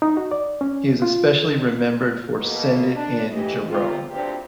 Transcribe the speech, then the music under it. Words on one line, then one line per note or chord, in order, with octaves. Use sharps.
He is especially remembered for Send It In, Jerome!
D#4
F#4
D5
C#4
F4
B2 A#3
D4
E3 G4 D#5
C3 F4
D2 A#2 C4 D4 G4 B4